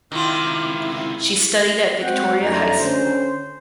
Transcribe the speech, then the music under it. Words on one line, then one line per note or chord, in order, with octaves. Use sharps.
She studied at Victoria High School.
C#2 C3 D#3 E4 F4
G#3 C4 F#4 C5 F#5 G5
G1 F#2 A3 D#4 D5 A#5
D3 C#4 C5